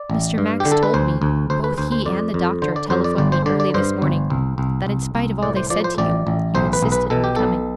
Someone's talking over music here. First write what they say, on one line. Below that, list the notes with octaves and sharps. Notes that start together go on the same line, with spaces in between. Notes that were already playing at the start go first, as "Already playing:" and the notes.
'Mr. Max told me--both he and the doctor telephoned me early this morning--that in spite of all they said to you, you insisted on coming.'
Already playing: D5
A1
G2
G4
D3
A4
B4
D2 C5
D2
D2 C5
B4
D2 C5
C5
F2 D5
F2
D3 C5
D5
F2 C5
D5
G1 D5
C5
D3 D5
D5
G2 C5
G1
C2
C2
C2
C2
A2 D5
C5
F3 D5
C5
A1 D5
A1
B1 C5
B4
B1
B4
B2 A4
G4
B1 A4